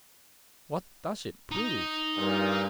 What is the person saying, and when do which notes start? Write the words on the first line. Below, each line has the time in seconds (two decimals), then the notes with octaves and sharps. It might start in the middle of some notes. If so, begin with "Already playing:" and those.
"What does it prove?"
1.51 D#4
2.16 G2 A#2